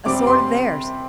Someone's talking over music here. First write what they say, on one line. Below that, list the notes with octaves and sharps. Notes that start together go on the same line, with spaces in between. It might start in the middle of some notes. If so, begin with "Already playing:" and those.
"A sword of theirs."
C3 G3 C4 D6
C6